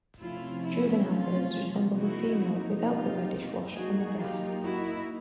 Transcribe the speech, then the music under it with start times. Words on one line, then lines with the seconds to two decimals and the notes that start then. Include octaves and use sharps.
Juvenile birds resemble the female without the reddish wash on the breast.
0.19 C3 F3 A3 C#4 E4 F4
0.64 E4
1.07 F4
1.96 C3 F3 A#3 D#4 E4 F#4
2.86 F4 G4
3.74 F#3 A#3 D#4 F#4 G#4
4.18 F4 G4
4.63 E4 F#4